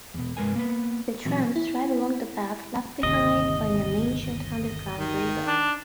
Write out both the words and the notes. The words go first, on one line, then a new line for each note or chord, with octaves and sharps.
The trams drive along the path left behind by an ancient underground river.
E2 B2
C2 G2 G#3 A#4 B4 G#5
A#3 B3 B4
A#2 E3 F#3 C4 F#4
E4
G1 D#2 C3 D#5
D#3
D4